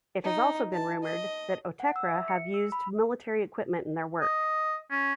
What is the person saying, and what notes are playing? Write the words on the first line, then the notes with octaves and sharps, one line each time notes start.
It has also been rumoured that Autechre have used military equipment in their work.
D#4
A5
D#5
F#5
E6
E5
C#7
E6
B5
D#5
C#4